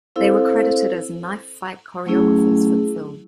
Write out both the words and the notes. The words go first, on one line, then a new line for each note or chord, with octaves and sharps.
They were credited as knife fight choreographers for the film.
C4 E4 A4 C5 F5
F#3 A3 C#4 E4 G#4